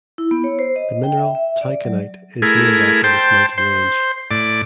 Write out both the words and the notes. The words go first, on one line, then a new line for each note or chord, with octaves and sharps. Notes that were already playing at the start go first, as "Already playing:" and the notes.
The mineral Taikanite is named after this mountain range.
E4
B3
C#5
C5
D#5
G5
E5
E5
D5
F#3
A3 E4 G#4 A#4
C5 G5 A5 C6
C5 C6
A2 D5 D6